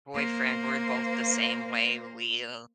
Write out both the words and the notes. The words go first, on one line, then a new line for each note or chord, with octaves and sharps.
boyfriend. We're both the same way, we'll
A#3 C5